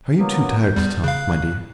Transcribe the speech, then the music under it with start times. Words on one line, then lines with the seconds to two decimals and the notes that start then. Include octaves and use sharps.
"Are you too tired to talk, my dear?"
0.18 F#3 A#3 B3
0.62 G6
0.76 E2 G3
1.04 C#3 F5 F#6